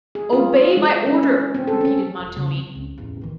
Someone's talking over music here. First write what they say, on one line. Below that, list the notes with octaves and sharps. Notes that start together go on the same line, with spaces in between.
'Obey my order,' repeated Montoni.
G#4
F4
G#3
C#4
C4
A4
C#4
E1
C#3 G3
C4
C#2
A1 E2
D#3 E3